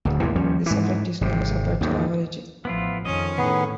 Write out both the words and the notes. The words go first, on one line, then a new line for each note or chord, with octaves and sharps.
This effect is known as "aperture averaging".
D1 D2
D#2 A2 C3 E3
D#2 F3 G3 C#4
G#2 E3
G#1 C3
D#2 G#2 C3 D#3
A1 F3 B3 E4 F4
F2 D#3 F3 C#4 D#5
A2 D#3 B3 G#4